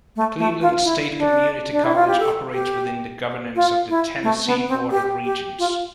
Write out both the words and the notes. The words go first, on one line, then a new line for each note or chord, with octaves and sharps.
Cleveland State Community college operates within the governance of the Tennessee Board of Regents.
A3
A3
F4
E4
D4
D4
E4
F4
G4
A4
G4
F4
E4
A3
B3
C4
G4
G4
F4